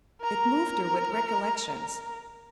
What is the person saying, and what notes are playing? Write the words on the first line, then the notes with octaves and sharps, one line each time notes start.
It moved her with recollections.
A#4 A#5